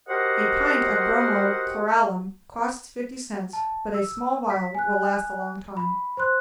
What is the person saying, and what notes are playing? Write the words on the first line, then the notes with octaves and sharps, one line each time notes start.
A pint of bromo chloralum costs fifty cents, but a small vial will last a long time.
F#4 G4 A#4 C5 D#5 F#5
A5
E6
B6
G#5 F#6
B5
C5 C6 F#6